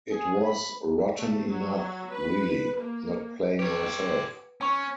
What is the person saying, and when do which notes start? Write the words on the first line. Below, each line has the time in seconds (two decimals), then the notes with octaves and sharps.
It was rotten enough, really, not playing myself.
0.10 G#4
0.43 B5
1.16 A3
1.51 F#3
2.12 B4
2.78 A#3
3.59 G4 B4 C#5
4.61 C#4 G#5 C#6